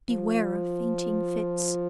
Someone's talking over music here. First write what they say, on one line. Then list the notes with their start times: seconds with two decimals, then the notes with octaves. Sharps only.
Beware of fainting-fits...
0.10 F3